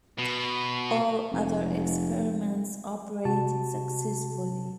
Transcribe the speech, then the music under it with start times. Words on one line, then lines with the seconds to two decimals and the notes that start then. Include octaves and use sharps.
All other experiments operated successfully.
0.18 B2
1.32 F1
3.25 C3 F#4 A5